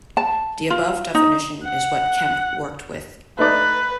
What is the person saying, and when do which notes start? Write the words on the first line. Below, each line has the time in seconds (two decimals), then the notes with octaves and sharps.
The above definition is what Kempe worked with.
0.17 A5
0.70 F4
1.15 D#4
1.64 F#5
3.39 A3 D#4 B4 D5